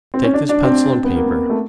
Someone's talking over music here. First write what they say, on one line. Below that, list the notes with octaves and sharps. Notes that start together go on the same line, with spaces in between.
Take this pencil and paper.
C4
C#4
D4
D4
C4
C4
B3
A#3
B3
A3